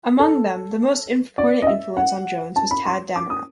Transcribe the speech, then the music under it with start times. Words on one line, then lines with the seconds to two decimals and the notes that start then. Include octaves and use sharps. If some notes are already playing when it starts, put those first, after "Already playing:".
Among them, the most important influence on Jones was Tadd Dameron.
0.19 A4
1.38 D5
1.62 D#5
1.67 E5
1.97 F#5
2.56 A5
2.71 B5
2.85 C6
3.16 D6
3.30 D#6